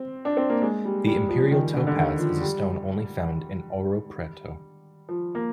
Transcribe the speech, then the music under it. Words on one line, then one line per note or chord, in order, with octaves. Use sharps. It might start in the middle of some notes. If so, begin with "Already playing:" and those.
The imperial topaz is a stone only found in Ouro Preto.
Already playing: C4
D4
C4
A#3
G#3
G3
G3
F3
D#3
D3
D3
D#3
F3
G3
F3
A#3